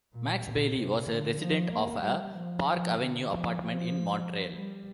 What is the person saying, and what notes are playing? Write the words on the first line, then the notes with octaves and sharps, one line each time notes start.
Max Bailey, was a resident of a Park Avenue apartment in Montreal.
A#2
A#2
C3
D3
F3
A#3
G3
F3
F3
D3
F3
F3
G3